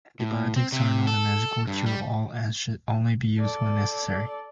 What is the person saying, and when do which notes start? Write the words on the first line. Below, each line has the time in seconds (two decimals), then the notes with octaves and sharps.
Antibiotics are not a magical cure-all and should only be used when necessary.
0.20 A2
0.56 C4
0.72 C3
1.07 A4
1.67 G2
1.86 G3
3.40 A4 D5